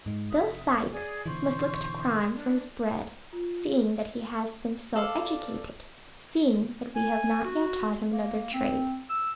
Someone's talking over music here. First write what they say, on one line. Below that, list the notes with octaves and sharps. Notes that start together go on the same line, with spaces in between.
Bill Sykes must look to crime for his bread, seeing that he has been so educated, seeing that we have not yet taught him another trade.
G#2 G#3
F1 E5 D#6
G#4 D5 G#5
B2 D3 E3 C5 C#6
D4
F4
A4 D5 F5
G#5
F#4
A#3
C4
E6